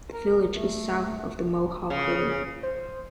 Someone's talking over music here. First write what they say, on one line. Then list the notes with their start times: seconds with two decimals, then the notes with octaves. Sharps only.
The village is south of the Mohawk River.
0.13 A#4
0.54 A3
1.90 C#3 G#4
2.63 C5